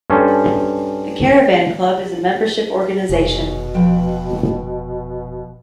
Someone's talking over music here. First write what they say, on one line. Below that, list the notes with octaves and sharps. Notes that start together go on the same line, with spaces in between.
The Caravan Club is a membership organisation.
G2 C#4 A4 C5 G#5 A5
F1 B2 G#4 C#5
F3 B4 G5